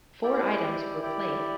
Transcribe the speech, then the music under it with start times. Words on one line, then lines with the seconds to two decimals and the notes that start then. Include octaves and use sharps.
Four items were played.
0.23 E4 G4 D5
1.02 E4 G4 D5